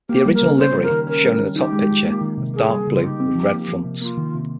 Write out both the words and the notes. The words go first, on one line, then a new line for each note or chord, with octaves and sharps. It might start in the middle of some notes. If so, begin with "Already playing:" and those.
The original livery, shown in the top picture, of Dark Blue with Red fronts.
A#3 G4
G3
A#4
C#3
C#4 C5
G3
A#4
D#3
C#4 A#4
G3
D#3
D#4 G4
G#3
F3
A#3
D#3
C3
A#3 G#4
G3
C#3
F4
D#4 G4
C4
F3
A#3
F3
C3
A#3 F4
D#3
C3